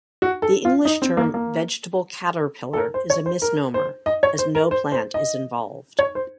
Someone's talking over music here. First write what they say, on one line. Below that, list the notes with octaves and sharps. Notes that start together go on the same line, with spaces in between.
The English term "vegetable caterpillar" is a misnomer, as no plant is involved.
F#4
A4
F4
D#4
C4
A#3
A#3
A4
A#4
C5
C#5
C5
A#4
C5
D#5
C#5
C5
A#4
C5
C5
D#5
C#5
C5